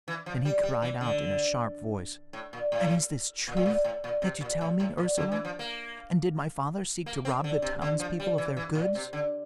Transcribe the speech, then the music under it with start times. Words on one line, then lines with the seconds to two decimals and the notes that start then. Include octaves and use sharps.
Then he cried out, in a sharp voice, "And is this truth that you tell me, Ursela? and did my father seek to rob the towns people of their goods?"
0.08 E3
0.26 F3
0.45 G3
0.63 G3
0.82 E3
1.01 D3
2.33 A2
2.53 A#2
2.72 A2
3.48 A#2
3.57 A2
3.66 A#2
3.84 A2
4.04 A#2
4.22 C3
4.41 A#2
4.61 A2
4.80 A2
4.98 A#2
5.17 D3
5.32 E3
5.45 F3
5.59 A#3
7.06 A#3
7.25 C4
7.44 D3
7.62 C3
7.82 D3
8.00 F3
8.20 G3
8.38 E3
8.57 E3
8.75 A#2
8.95 C3
9.13 D3